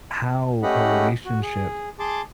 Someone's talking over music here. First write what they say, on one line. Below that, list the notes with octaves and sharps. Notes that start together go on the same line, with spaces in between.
how a relationship
A3 C#4 G4 D#5 F#5 B5
F#4
G#4
G#4 A5 C6 D6